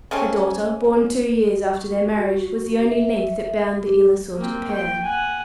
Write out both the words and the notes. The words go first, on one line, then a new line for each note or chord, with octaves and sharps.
A daughter, born two years after their marriage, was the only link that bound the ill-assorted pair.
C#3 A3 C4 C#4
F#4
E5
G4
A#3 C4
G5
F#5 G#5